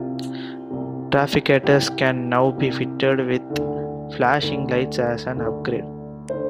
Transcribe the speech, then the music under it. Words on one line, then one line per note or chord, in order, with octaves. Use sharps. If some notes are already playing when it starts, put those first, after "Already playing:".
Trafficators can now be fitted with flashing lights as an upgrade.
Already playing: C2 C3 F4
C2 C3
C2 C3 G4
C2 C3
D2 D3
D2 D3
D2 D3
D3 C5